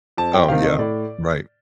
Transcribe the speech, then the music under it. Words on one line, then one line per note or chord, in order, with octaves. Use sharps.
Oh, yeah. Right.
F2 A5
G5
C3 D#3 F5
D#5
A2 D5